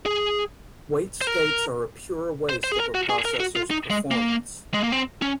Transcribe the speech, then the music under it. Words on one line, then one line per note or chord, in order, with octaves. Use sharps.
Wait states are a pure waste of a processor's performance.
G#4
C5
A#4
C5
C5
G#4
A#4
F#4
G#4
A#4
F#4
F4
D#4
G#3
A#3
G#3
A#3
C4
C#4